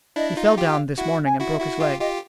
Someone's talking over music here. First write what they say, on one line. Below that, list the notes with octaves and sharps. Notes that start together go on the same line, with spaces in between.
He fell down this morning and broke his leg.
D4 E4 D#5
D#4 F4
E5
F4 G4
F5
E4 F#4 F#5
G#5
E4 F#4
E5
E4 F#4
F4 G4 E5
F4 G4 D#5